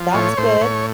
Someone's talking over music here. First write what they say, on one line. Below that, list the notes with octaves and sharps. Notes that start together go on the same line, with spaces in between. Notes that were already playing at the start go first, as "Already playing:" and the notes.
That's good.
Already playing: F3
A2 C#5
A2 C5
A2 C#5